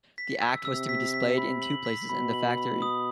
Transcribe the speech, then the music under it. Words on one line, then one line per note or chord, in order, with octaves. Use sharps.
The Act was to be displayed in two places in the factory.
B6
E6
C3 E6
B6
B6
B5
F#7
B6
B2 B5
F#7
B5
D#6